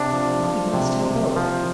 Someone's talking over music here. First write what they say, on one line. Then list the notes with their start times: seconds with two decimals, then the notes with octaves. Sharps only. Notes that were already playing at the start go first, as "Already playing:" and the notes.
He must have both.
Already playing: C3 D4
0.13 F3
0.43 F3
0.74 C3
1.05 C3
1.36 F3